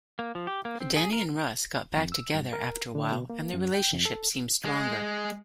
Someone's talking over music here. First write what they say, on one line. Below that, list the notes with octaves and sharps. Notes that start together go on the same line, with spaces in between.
Dannii and Russ got back together after a while and their relationship seemed stronger.
A#3
F3
G4
A#3
C4
G#4
A#4
F2
E6
G2
A#4
D3
B2
A#3
F#2
G5
F2
A4
G#3